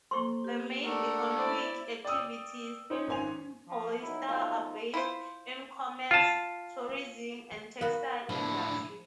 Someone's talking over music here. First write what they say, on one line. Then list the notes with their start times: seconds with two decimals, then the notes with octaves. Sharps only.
The main economic activities in Paulista are based in commerce, tourism and textile industry.
0.11 A#3 A4 C5 C6 C#6
0.44 G4 B4
0.82 A3 D4 A#4 F#5
1.38 E4 C5 D5
2.05 D5 G5 D#6 E6
2.90 D#4 C5 C#5
3.07 G#1 D#3 C4 G#5 C6 F7
3.69 F3
4.03 F#3 B3 D#4 E4
4.29 F3 A3 B3 F4
4.94 E4 F4 C5
6.11 F4 A5
7.81 B3 F#4 A#4 F5
8.29 A2 F3 D4 E4